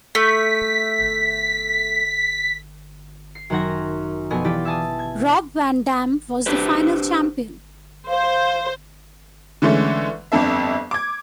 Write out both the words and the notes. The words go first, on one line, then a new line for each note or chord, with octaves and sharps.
Rob Van Dam was the final champion.
A3 B6
C7
F#2 D#3 C5 F#5 G#6 A#6
F2 B2 B3 D#5 G#5
E3 F4 G4 D5 A6 B6
E5 G#5 A5 D#6
G#6
D4 G4 B4 C5
C5 F5
D3 E3 G#3 A3 C#4
G1 F2 D4 A4 E5
D6 G#6